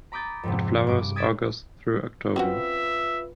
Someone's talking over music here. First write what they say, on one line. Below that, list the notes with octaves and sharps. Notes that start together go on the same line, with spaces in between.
It flowers August through October.
A#5 B5 D6 D#6 G6 A6
F2 G#2 C3
G2 D6 D7
D#6 G#6 A6 B6 D7 E7
C4 C#4 F4 F#4 B4 E5